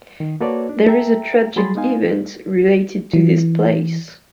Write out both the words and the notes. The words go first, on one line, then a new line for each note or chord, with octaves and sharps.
There is a tragic event related to this place.
D#3
A#3 F#4 A4 B4 C#5 D5
D4
A4 E5 G5 A#5
F#3 G3 G#4 B5 C6 A6
G#3 B3 D#4 F5 G#5
E3